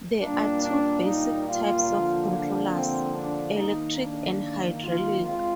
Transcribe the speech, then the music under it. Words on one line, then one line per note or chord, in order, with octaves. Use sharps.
There are two basic types of controllers, electric and hydraulic.
A#2 G3 A#3 D4
D4
D#4
F4
D3 F3 A#3
D4
C4
D4
D#3 A#3 D#4
D4
F4
G#3 C4 F4